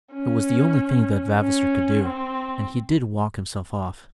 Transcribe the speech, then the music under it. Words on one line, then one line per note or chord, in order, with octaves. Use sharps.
It was the only thing that Vavasor could do, and he did walk himself off.
C#4
C#4
C4